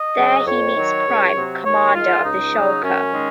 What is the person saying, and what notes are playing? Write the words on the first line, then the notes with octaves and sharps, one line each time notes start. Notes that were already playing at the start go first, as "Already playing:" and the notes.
There he meets Prime, commander of the Shalka.
Already playing: D#5
C#3 F#3
F2 C#5
D#3 F#3
C#2
C3 F#3
D#2 C#5
D#3 G#3 F4
C#2 D#4
C#3 F#3
F#2 C#4
D#3 G#3